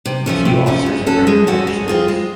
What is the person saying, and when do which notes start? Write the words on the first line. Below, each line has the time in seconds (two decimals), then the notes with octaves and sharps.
Few officers have rendered better service.
0.05 C3
0.26 F3 A3 C#4 F4
0.45 C3
0.66 F3 A3 C#4 F4
0.86 G#3
1.06 C#4 F#4 A4
1.27 G#3
1.47 C#4 F#4 A4
1.67 G#3
1.88 C4 F4 G#4
2.08 G#3